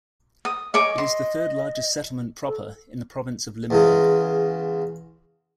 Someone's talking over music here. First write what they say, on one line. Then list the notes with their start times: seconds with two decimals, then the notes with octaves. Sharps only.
It is the third largest settlement proper in the province of Limburg.
0.45 D#6
0.74 C#5 D#5 G#5 D6
0.98 C6
2.47 A4
3.70 E2 C#3 G#3